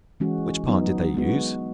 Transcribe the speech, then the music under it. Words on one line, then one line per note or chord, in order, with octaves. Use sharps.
Which part did they use?
E3 G#3 C#4 F#4
F#3 B3 D#4
G#3 B3 F#4